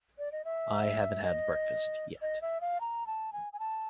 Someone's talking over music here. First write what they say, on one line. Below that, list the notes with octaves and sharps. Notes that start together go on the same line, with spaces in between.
I haven’t had breakfast yet.
D5
D#5
E5
D#5
D#5
E5
F5
A#5
A5
G#5
G#5
A5